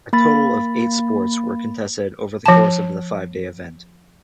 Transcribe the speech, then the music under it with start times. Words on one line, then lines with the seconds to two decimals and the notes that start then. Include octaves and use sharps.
A total of eight sports were contested over the course of the five-day event.
0.13 A#3 B5 A6
2.46 F3 A5